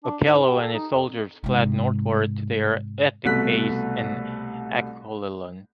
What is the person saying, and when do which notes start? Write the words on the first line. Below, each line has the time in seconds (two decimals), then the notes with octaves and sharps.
Okello and his soldiers fled northward to their ethnic base in Acholiland.
0.04 D4
0.25 G#2
0.44 G4
0.61 A4
0.74 D#4
0.93 F2
1.44 G#2 C3
3.25 C2 B2 A3 F#6 B6